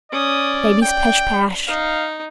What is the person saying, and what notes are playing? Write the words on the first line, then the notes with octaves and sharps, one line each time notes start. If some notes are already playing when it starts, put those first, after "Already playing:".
Baby's Pesh-Pash.
C#4 D5 D#6
D5 G5
D#4 F5